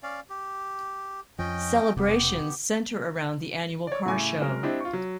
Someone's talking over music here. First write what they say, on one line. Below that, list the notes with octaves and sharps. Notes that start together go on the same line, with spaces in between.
Celebrations center around the annual car show.
C#4 D5 F5
G4
F2 F3 C#4 D#5 G5
E1 C3 B3 G4
C#5 D5
A2 C#3 A3 G#5 C#6 D6
F#3 G#3 C#4 A#4
C4 D4 E4 G4 D#5
F4 C#6
F#3